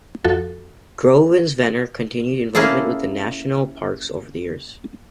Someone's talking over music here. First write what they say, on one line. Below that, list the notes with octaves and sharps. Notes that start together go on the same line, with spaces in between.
Grosvenor continued involvement with the National Parks over the years.
F2 F3 F#4 A4
A#3 C#4 E4 G#4 A4